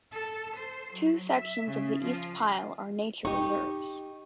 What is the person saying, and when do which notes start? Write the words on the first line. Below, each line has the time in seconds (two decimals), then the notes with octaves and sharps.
Two sections of the East Pyl are nature reserves.
0.13 A4
0.56 C5
0.93 F#3
1.30 E5
1.66 C#3
2.03 F3
3.25 D#4 G4 C#6